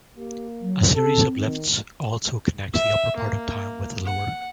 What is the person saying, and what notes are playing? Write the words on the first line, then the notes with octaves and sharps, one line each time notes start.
A series of lifts also connects the upper part of town with the lower.
A#3 G4
F#3
C4 A4
D#3
E5
A#3
F#5